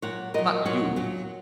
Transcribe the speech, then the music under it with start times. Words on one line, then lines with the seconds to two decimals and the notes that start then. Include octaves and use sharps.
Not you!
0.02 A#2 F#3 C#5 F#5
0.34 A#2 F#3 A#4 D#5
0.66 A#2 F#3 C#5 F#5
0.96 A#2 F#3